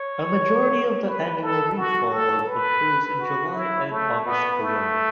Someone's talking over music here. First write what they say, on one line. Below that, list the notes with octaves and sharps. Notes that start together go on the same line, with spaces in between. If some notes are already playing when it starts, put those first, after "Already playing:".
A majority of the annual rainfall of occurs in July and August alone.
Already playing: C#5
B4
A4
F#4
A4
B4
F#4
E4
A3
B3
A3